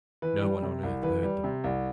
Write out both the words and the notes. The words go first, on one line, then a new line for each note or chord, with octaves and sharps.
No one on earth heard them.
E3 B4
G3
C3
C2
E3 B4
G3
C3
C2